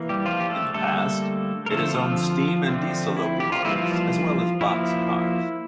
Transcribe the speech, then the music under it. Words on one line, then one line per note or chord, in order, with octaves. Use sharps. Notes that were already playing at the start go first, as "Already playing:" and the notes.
In the past, it has owned steam and diesel locomotives, as well as boxcars.
Already playing: E3 A#3
G3 G4
F3 F4
G4
A3 A4
D3 G3 A3 A#3 A4
A#4
D3 F3 A3 C4 A4
F3 F4
D3 F3 A3 C4
E4
G4
F4
E3 G3 A#3 E4
F3 F4
F3 A#3 E4